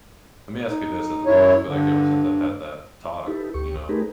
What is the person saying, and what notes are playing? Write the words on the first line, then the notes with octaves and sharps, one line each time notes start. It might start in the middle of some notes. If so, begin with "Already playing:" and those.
let me ask you this as well; I feel like ever since I've had that talk, you know,
D#4
F#2 E4 C#5
G2 D3
D#4 E4 G4 A4 B4
D2 G4 C#6
A3 D#4 G4 G#4 A#4 B4